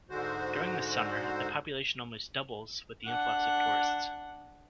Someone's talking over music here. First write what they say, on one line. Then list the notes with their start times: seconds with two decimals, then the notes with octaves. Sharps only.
During the summer the population almost doubles with the influx of tourists.
0.10 G#2 D3 G#3 F#4 C5
3.06 D4 F#5